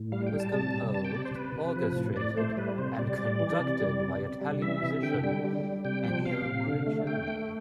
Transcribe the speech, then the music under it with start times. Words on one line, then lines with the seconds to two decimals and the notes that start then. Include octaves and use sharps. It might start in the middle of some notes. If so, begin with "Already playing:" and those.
It was composed, orchestrated, and conducted by Italian musician Ennio Morricone.
Already playing: A2
0.12 G3 F5
0.27 G5
0.33 G3
0.40 A5
0.54 C3
0.74 G3
0.94 C3 A5
1.04 G5
1.15 C3 D5
1.25 C5
1.35 C3 B4
1.56 C3
1.76 F3
1.96 A2
2.16 A2 D5
2.37 A3 C5
2.57 G3 B4
2.78 C3 C5
2.99 G3 D5
3.19 G3
3.40 E3
3.60 C3
3.80 G3
4.00 C3
4.21 C3
4.41 G3
4.62 E3 E5
4.83 C3
5.03 D3 G5
5.23 G3 G5
5.44 G3
5.64 G3
5.85 C3 G5
6.05 F3 G5
6.25 C3 F5
6.46 C3
6.66 D3
6.87 A3
7.07 A3 G5
7.28 A3